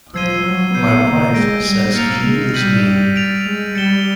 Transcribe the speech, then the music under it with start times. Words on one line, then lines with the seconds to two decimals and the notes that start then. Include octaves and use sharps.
My wife says he is me.
0.14 F3 E6 G#6 C7 D#7 G7
0.44 F#3
0.74 B3 G6 C7 D#7
1.05 A#3
1.34 G#3 G6 A#6 D7
1.65 G3
1.94 A#3 F6 A6 C#7 F7
2.24 G#3
2.54 G3 G6 B6 D#7 F#7
3.15 A6 D7 F7
3.44 G#3
3.75 G3 A6 C#7 E7 G7